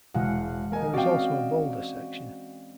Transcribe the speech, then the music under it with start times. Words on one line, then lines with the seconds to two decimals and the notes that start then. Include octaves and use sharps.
There is also a boulder section.
0.14 E1 E3 G#3 F5 F#5
0.72 A#3 A#4 D#5 G#5
0.94 C4 C#4 F#4 D5 F5 G5